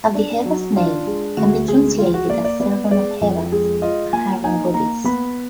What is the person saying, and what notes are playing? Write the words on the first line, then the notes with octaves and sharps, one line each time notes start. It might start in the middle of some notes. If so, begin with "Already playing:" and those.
Abdi-Heba's name can be translated as "servant of Hebat", a Hurrian goddess.
D4
F#3
D4 F4
G#3
D2 F#4
G#3 G#4
F4
F#4
A#3 D5
D5
B3 D5
G#3 D5
F2
G#3 G#4
F4 D#5
A#3 G#5
D#4 G#5
A#3 A#5
B3 B5